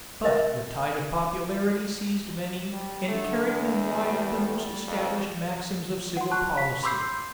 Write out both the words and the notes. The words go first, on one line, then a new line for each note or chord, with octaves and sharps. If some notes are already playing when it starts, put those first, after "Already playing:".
But the tide of popularity seized many, and carried them wide of the most established maxims of civil policy.
A#4 B4 D#5 E5
G3
D3 A3
E2
G3
F2
F#5 C6
A5 C#6 F#6
B6
B5 C6 D6 E6 G6 C7